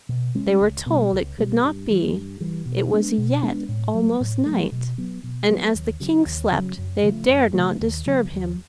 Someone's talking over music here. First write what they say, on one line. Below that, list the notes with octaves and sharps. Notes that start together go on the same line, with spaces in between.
They were told it could not be, it was yet almost night, and as the King slept they dared not disturb him.
B2
G#3 C#4
C#2
B2 G3
C#2
B2 G3
G2
E3 G3
G2
E3 G3
B2
G#3 B3 D4
B2
G#3 B3 D4
A2
F#3 A3
A2
F#3 A3
B2
F#3 B3
B2
F#3 B3
D#2
C#3 F#3
D#2
C#3 F#3
F#2
C#3 F3 A3
F#2
C#3 F3 A3
D#2
C#3 F#3 B3
D#2